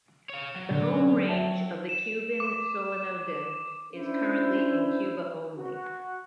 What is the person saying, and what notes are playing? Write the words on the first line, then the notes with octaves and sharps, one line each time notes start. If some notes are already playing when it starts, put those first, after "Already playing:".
The home range of the Cuban solenodon is currently in Cuba only.
C#5 F5
F#3
D3
E5 G5 A5
E7
D6
C#4 D4 E4 C5
F#4